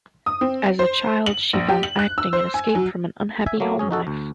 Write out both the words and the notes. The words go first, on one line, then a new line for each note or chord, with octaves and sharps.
As a child she found acting an escape from an unhappy home life.
D#6
C4
C5
F#7
A#1
G4
F#7
F#6
E6
C5
G#5
F#3
E5 G#5
F#3 A3 A#3
F#2 C#4 G#4
D#4 F#4 A4
D2